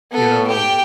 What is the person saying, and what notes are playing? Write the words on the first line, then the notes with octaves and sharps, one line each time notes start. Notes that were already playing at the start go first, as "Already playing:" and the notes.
you know,
B3 A4
G4 G5